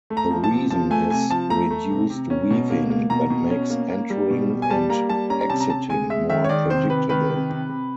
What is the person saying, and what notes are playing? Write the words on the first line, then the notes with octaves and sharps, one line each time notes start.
The reason is reduced weaving that makes entering and exiting more predictable.
A3
A#5
F3
A5
C3
F3 A5
A3 G#5
C3 G#5
F3 A5
A3 A#5
A3
C3
C3
C#4
B2
A#3
A#3
B2 A#5
B2
C#4
A#3
A#3
G3
B2
G3
G#5
G3 A5
A#3 A#5
G3 A5
C#4 A#5
A#5
C3 A5
A#5
C3 A5
G#3 G#5
G#3 E5
D#3 E5
C#5
D#3 D5
C3 C5
C3 B4
D#3 B4
C3
C3
C3